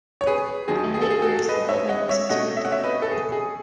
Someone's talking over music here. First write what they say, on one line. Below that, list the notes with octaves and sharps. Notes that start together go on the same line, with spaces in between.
In later years, the building was expanded.
C#5
G#4 B4
D#2 D#3 F#3 G#4
G#4
A4
G#4
F#4 A4
B4 D#5
C#5 E5
D#5 F#5
C#5 E5
B2 A3 C#4 D#5 F#5
E5
F#5
C#5 E5
B4 D#5
A4
G#4
G#4